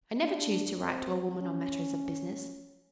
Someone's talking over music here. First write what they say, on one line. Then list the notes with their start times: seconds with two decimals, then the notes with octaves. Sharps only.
I never choose to write to a woman on matters of business.
0.22 D4
0.81 C4
1.41 C#4